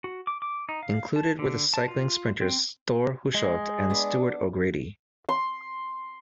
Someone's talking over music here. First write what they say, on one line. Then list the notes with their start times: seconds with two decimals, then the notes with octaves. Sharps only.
Included were the cycling sprinters Thor Hushovd and Stuart O'Grady.
0.04 F#4
0.27 D6
0.42 D6
0.69 D#4
0.83 F5
1.16 A5
1.39 D3
1.74 A5
1.88 F4
2.41 C4
3.35 G#3 G#4
3.90 B3 D4
5.29 C6